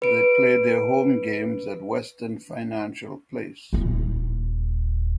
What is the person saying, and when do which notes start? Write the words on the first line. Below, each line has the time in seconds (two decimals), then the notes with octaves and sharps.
They play their home games at Western Financial Place.
0.02 B4 D7
3.73 D#1 E4